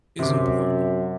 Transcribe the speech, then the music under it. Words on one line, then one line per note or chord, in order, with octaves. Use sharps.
is important
F#2 C3 D6